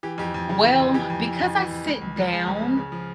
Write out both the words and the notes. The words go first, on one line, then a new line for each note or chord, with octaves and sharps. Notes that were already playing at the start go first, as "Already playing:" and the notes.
Well, because I sit down
E3 G4
F2 G4
F2
C#3
E3
F2
E3 G4
F2
E3
F2
E3
F2
C#2
C#2
F3
C#2 G#4
C#2
C#3
C#3
F3